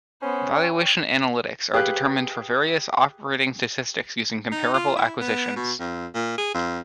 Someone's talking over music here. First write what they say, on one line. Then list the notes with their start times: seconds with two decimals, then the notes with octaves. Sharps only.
Valuation analytics are determined for various operating statistics using comparable acquisitions.
0.22 B3 C#4 C5
0.53 C#5 G5
1.74 G4 G#4 B4 F5 G5 F#6
4.52 D#4
4.74 F4
4.97 E4
5.21 B3
5.57 B2
5.80 F2
6.15 A#2
6.38 G#4
6.55 F2